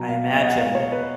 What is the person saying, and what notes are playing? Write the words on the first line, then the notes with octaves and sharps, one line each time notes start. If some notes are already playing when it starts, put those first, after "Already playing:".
I imagine
Already playing: B2 F#3 A#5
F5
D#5
F#5
F5
C#5
B4